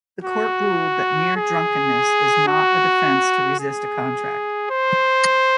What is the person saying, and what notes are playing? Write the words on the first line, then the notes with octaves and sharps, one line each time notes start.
The Court ruled that 'mere drunkenness' is not a defence to resist a contract.
F#4
G#4
F#4
G#4
C5